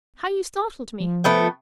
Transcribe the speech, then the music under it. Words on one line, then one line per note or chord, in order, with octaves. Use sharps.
How you startled me!
F3
A3 B3 G5